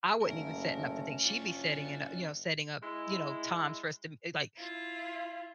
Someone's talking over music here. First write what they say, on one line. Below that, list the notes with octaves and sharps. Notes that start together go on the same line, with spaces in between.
I wasn't even setting up the thing. She'd be setting it u you know, setting up, you know, times for us to eh, like,
F#1 A3 C#4 A#4
F#1 D4 F4 C#5
G#3 E4
E4 F4